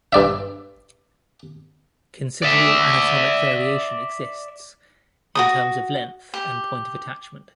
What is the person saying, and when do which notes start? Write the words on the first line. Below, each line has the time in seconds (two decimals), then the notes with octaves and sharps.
Considerable anatomic variation exists, in terms of length and point of attachment.
0.12 G2 D5 E5
2.43 D5 E5
5.35 F#4 A4 D#6
6.34 G4